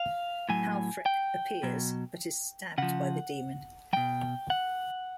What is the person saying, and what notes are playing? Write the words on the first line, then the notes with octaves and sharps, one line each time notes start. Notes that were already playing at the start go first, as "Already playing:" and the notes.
Halfrek appears, but is stabbed by the demon.
Already playing: F5
A2 F#3 G#5
G5
B2 F#3
C#3 F3 F#5
B2 F#3 G5
F#5